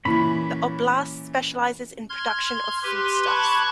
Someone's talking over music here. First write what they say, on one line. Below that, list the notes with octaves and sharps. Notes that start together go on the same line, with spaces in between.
The oblast specializes in production of foodstuffs.
A#2 E3 C#4 B5
C6 F6 G#6
G4 B4 C6
A5 B5 C#6 D6 F#6 G#6